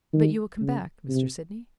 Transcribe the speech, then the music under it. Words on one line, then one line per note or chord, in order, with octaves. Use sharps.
"But you will come back, Mr. Sydney?"
D#3
C#3
C3